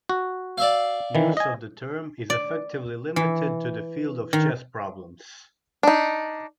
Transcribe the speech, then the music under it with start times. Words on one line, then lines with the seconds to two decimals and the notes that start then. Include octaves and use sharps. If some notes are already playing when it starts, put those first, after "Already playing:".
Use of the term is effectively limited to the field of chess problems.
0.09 F#4
0.58 D5 E5 F5
1.15 D#3 E3
1.37 D#5 G#5
2.30 D5
3.16 E3
4.33 D#3
5.83 D4 D#4